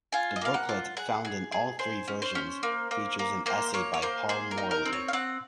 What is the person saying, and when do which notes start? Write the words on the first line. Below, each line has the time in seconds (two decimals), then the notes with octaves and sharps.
The booklet, found in all three versions, features an essay by Paul Morley.
0.12 F4 G#5
0.36 D#5
0.41 A#3 F5
0.54 F#5
0.69 F4
0.97 G#4 F#5
1.25 G#4
1.52 G#4
1.79 G#4 C5
2.08 C#4
2.22 C5
2.35 C#4
2.63 A#3
2.91 A#3
3.19 A#3
3.46 A#3 C5
3.74 A#3 C#5
3.94 C#5
4.02 A#3 C5
4.29 G#4 C5
4.51 A#4
4.58 D#4
4.71 A#4
4.85 C4
4.93 C#5
5.08 F5
5.13 C4 F#5